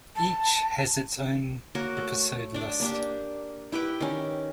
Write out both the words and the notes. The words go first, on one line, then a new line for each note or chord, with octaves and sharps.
Each has its own episode list.
A5
A#3 F#4 A#4 C#5
A3
D4 D5
A#3 D4 G4
E4 G4 B4 G5
D#3 C#4